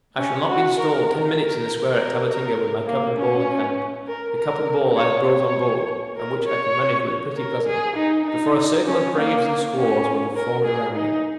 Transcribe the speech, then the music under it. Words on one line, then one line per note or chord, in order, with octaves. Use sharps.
I shall not be installed ten minutes in the square at Tabatinga, with my cup and ball in hand--the cup and ball I have brought on board, and which I can manage with pretty pleasantly--before a circle of braves and squaws will have formed around me.
C#4
F#4
A#4
A#4
A#4
A#4
A#3
C#4
A#4
A#4
C#5
C#5
A#4
C#5
A#4
G#4
D#4
D#4
C#4
A#3
C#4
A#4
G#4
D#4